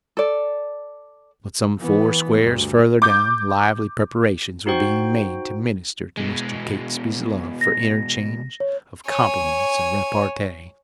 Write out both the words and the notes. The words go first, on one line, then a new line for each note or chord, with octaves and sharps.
But some four squares farther down lively preparations were being made to minister to Mr. Catesby's love for interchange of compliments and repartee.
A4 D5
E3 B3
D2 G2
D6 G6
D#4 F#4 C5 G5
B2 G#3
A#6
C#5
C#5 G#5